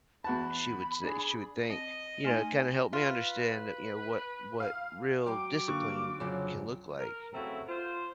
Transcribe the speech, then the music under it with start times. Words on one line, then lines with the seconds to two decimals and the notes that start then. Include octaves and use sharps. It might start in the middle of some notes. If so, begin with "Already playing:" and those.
she would say she would think, you know, it kinda helped me understand that, you know, what what real discipline can look like, you know?
0.24 E2 F#4 A5 B5
1.04 D4 G#4
1.69 C4 D#5
2.25 A3 D#4 G#5
2.93 F4 B4
4.60 F5
5.26 F#3 G5 D6
5.68 D3 A#3 C#6
6.20 F2 C#3 F#3
6.99 A#4
7.33 C#3 F#3 A3 C4 E4 F#4
7.68 F4 C5